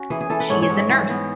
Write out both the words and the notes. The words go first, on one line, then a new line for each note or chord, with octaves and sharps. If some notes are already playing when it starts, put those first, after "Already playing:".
She is a nurse.
Already playing: C#4 F#4
E3 G#4
G#4
E3 A4
B4
G#2 C#5
C#5
G#2
E5
E3
B3